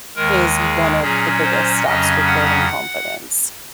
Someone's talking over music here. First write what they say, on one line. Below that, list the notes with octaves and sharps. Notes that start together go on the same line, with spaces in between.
is one of the biggest steps with building confidence.
D#2 D#3 G#3 A#4
G#4
A#2 F#3 C#4 G#4
C5
F2 C#3 F#3 C#4 D#5
F#5